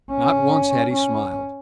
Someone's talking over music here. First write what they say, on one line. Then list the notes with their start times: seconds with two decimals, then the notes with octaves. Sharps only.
Not once had he smiled.
0.12 C#4
0.94 C#4